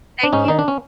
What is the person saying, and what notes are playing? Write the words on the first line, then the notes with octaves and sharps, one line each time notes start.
thank you
D4
G#2 C#4 D#4
D#3 D#4
D4
C#4